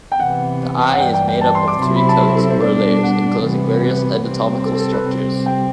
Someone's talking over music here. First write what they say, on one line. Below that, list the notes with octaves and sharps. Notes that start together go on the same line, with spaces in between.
The eye is made up of three coats, or layers, enclosing various anatomical structures.
G5
C3 E3 B3 F#5
F#5
G2 E3 G3 G5
G5
G5
A5
C6
D6
C3 F#3 C4 E4 C6
B5
A5
A4
C5
B2 G3 D4 D5
F#5
C3 E3 G3 B3
B4
C3 G3 C4
A4
A4
B4
C3 G3 C4
G5